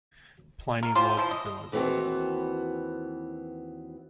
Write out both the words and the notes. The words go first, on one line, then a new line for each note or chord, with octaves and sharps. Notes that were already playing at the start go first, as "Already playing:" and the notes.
Pliny loved villas.
A#4
C#4 F4 G4 C5
E3 F3 C5
D#5
D#2 E3 B3 C4 F#4